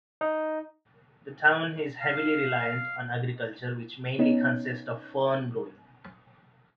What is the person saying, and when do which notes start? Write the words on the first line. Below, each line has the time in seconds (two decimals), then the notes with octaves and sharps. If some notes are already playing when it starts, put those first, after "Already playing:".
The town is heavily reliant on agriculture which mainly consists of fern growing.
0.21 D#4
2.00 F5
4.19 B3 C#4 D#4